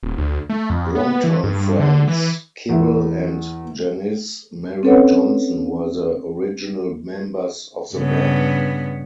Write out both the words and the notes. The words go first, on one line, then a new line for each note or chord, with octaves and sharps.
Long time friends, Kibble and Janice-Marie Johnson were the original members of the band.
D#1
D2
A3
F2
B3
E3
G2
D3
E3
E2 E4
C4 C#4 A4 B4 C#5 F#5
G2 C#3 B3